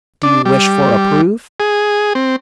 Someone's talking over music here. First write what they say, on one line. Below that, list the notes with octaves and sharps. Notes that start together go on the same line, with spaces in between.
"Do you wish for a proof?"
D4
G3
G#4
C4